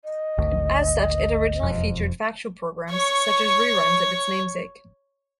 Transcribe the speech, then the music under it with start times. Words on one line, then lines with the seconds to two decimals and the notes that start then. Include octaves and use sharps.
As such, it originally featured factual programs, such as reruns of its namesake.
0.04 D#5
0.38 G#1 D2
1.62 E1 F2
2.91 C#5 C#6